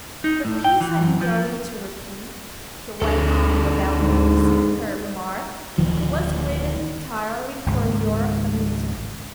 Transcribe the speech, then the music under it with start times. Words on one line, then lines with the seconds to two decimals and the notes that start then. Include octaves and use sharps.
'The piece I'm going to repeat,' he went on without noticing her remark, 'was written entirely for your amusement.'
0.24 D#4
0.45 A2
0.64 G5
0.81 E3
1.01 F#2
1.21 F3
3.02 D2 D4 G#4 A4
4.01 G#2
5.78 D1 D#3 F3
7.66 G#1 C#2 G#2